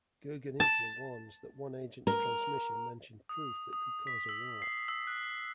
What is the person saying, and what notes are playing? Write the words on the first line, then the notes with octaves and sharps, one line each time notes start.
Gurgenidze warns that one agent's transmission mentioned proof that could cause a war.
A5
A#4
D#6
D#6
B6
E6
C7
E6
F#6